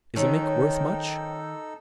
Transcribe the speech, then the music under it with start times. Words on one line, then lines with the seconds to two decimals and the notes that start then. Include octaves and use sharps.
"Is a mink worth much?"
0.16 D#3 F#3 C#4 D#4 A4 C5 G5 E6